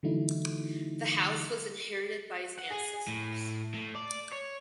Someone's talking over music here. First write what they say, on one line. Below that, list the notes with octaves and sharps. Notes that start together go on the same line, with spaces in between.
The house was inherited by his ancestors.
D3 E3 F#3 A3 D#4 E4
F#5
G#4
A2
A2
D5
C#5